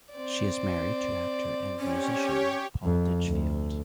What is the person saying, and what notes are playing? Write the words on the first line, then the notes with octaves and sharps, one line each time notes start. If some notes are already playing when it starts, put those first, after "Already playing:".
She is married to actor and musician Paul Ditchfield.
C4 D5
C#4 G4 C#5
F2
D2